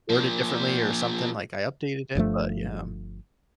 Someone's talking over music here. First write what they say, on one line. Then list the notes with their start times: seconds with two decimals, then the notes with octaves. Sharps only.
worded differently or something, like, I updated it, but yeah.
0.10 A#2 F3
2.15 G1 G2 F3 A3